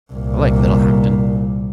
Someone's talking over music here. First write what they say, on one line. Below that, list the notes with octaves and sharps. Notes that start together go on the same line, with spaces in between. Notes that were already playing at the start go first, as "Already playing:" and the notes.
I like Littlehampton.
C2 A#2